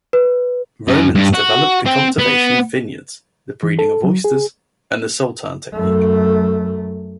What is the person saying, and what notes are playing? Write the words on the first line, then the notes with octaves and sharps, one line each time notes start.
Romans developed the cultivation of vineyards, the breeding of oysters and the saltern technique.
B4
F#2
G2
F#4
C4
B3
E3
A4
F#3
G#4
F#2 A3